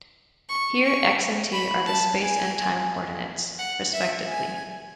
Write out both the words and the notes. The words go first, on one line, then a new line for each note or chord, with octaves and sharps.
Here x and t are the space and time coordinates, respectively.
C#6
C#6
B5
A5
G#5
F#5
E5
G#5